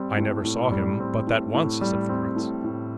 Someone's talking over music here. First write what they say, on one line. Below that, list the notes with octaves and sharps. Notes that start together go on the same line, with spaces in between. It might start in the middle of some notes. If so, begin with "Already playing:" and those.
"I never saw him but that once," said Florence.
Already playing: G3 C4
A2
A2
G3
C4
A2
A2
G3
C4
A2
A2